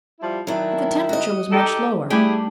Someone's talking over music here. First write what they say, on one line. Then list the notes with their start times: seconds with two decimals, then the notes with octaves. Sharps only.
But the temperature was much lower.
0.20 F3 G3 E4
0.47 D#3 F#3 D4 E4
1.09 F#4 D#5
1.51 D#4 G4 A4
2.10 G3 A3 D4 E4 G4 G#4